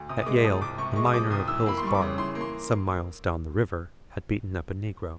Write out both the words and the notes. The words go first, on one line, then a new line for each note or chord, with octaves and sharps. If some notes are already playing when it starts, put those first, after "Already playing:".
At Yale a miner of Hill's Bar, some miles down the river, had beaten up a negro.
Already playing: D2
C3 D#6
D#6
G#3 D6
F3 D#6
C2 D6
C3 C#6
G#3 C#6
D#6
F3 D6
C2 D#6
E3 E6
A#3 B5
C6
G3 C#6
D6
C#3
E3 C6
A#3
C6